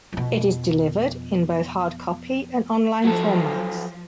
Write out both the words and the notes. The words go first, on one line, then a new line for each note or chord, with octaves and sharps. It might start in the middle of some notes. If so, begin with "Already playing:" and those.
It is delivered in both hardcopy and online formats.
F2 B2
F3 F#3 A4